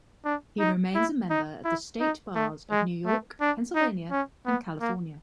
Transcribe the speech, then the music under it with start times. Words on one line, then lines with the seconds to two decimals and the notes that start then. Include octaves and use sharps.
He remains a member of the State Bars of New York, Pennsylvania and California.
0.25 D4
0.59 D#4
0.95 E4
1.30 D#4
1.64 E4
2.00 D#4
2.35 A3
2.71 G#3
3.05 A3
3.41 D4
3.75 D#4
4.11 C#4
4.46 B3
4.81 A#3